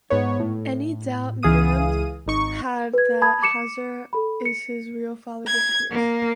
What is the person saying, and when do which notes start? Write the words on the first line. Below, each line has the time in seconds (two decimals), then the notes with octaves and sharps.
Any doubt Miran had that Hazar is his real father disappears.
0.10 G#2 B3 C#5
0.40 A2
1.43 C#2 E3 G#4 F5 D#6 D#7
2.26 G#1 D#4 C#6
2.93 B4 G#6
3.22 A5 B5 D#6 G#6
3.42 D6 C#7 E7
4.13 A4 B5
4.45 C#7
5.46 G#6
5.91 A#3